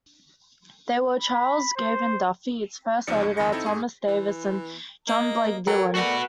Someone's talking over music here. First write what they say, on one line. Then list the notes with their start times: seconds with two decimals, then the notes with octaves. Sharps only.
They were Charles Gavan Duffy, its first editor; Thomas Davis, and John Blake Dillon.
1.18 B5
1.76 C5
3.07 C#2 C3 F3 D#4 D5 C#7
3.23 G2
3.37 G1 F2 D#3 B5 A#6 C#7
3.52 C4 D#4 E4 A4
3.66 G#2 G#4
4.07 E3
5.08 A#3 D#5
5.67 F#3 A4 A#4 C#5 G5
5.95 A3 F#4 B4 D5